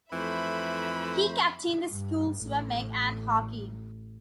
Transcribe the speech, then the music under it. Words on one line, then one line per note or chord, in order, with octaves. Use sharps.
He captained the school's swimming and hockey.
F2 E3 A3 C5 E5 B5
G2
A1